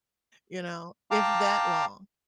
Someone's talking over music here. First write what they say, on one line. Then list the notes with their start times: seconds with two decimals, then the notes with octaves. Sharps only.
you know, if that long.
1.11 F5 G5 A5 A#5 D6